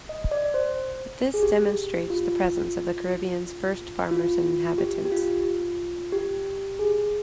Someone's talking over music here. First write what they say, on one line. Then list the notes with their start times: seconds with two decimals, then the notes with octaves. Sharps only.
This demonstrates the presence of the Caribbean's first farmers and inhabitants.
0.09 D#5
0.31 D5
0.54 C5
1.34 G#4
1.43 G4
2.10 F4
4.11 F4
4.78 G4
5.05 G4
5.12 F4
6.12 G4
6.79 G#4